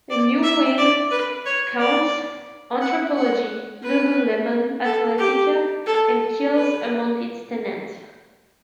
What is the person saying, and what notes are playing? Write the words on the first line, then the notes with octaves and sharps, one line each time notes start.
The new wing counts Anthropologie, Lululemon Athletica, and Kiehl's among its tenants.
D5
E5
D5
B4
C#5
D5
F#5
F#5
B4
A4
G4
A4
B4